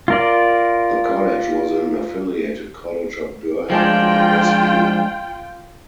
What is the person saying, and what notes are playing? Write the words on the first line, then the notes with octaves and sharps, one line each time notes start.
The college was an affiliated college of Durham University.
F4 A#4 D5
F3 G#3 D4 F4 G5